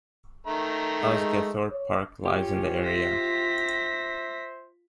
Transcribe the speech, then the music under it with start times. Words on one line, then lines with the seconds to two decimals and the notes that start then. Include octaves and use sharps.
Osgathorpe Park lies in the area.
0.47 D#3 A3 A#5
1.02 G#3
1.71 C#5
2.25 C#4 F4 G4
2.85 C5 E5 A#6 B6